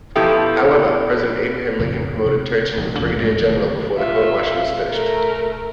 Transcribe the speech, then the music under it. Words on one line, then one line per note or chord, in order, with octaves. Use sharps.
However, President Abraham Lincoln promoted Turchin to brigadier general before the court-martial was finished.
B2 F3 B3 E4 G4 A4
A1 F2 C#3 E3
C3
A1
C#2 C#3 F3 A#3
G#2 B2 A3
D1 D#2 C3
F4 E5
A3 A#4